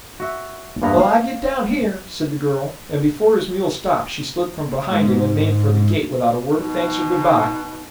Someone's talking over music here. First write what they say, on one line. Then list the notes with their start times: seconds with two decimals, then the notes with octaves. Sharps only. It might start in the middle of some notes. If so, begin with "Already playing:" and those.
"Well, I git down here," said the girl, and before his mule stopped she slid from behind him and made for the gate without a word of thanks or good-by.
0.20 F#4 E5
0.82 E2 G2 A#3 B3 A#5
1.00 F5
4.90 G#2
6.54 B2 D#4